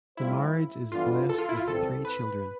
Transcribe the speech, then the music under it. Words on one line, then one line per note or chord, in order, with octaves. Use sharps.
The marriage is blessed with three children.
A2 G3 C4 E4 F4 C5
G2 E3 B3 D4 F4 A4
A4
F4
E4
F4
C2 C3 E3 G3 C4 A4
B4